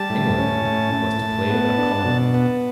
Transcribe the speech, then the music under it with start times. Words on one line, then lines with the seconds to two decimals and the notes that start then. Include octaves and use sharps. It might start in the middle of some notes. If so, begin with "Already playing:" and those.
England was declared a commonwealth.
Already playing: G3 A5
0.10 A2
0.38 C#4
0.65 A2
0.94 A2
1.22 A2
1.50 B3
1.78 D4
2.05 B2
2.34 B3